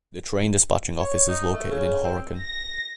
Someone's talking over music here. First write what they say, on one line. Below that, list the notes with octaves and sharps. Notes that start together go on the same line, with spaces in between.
The train dispatching office is located in Horicon.
C#5
D#4
A3
C#3
C4
A#6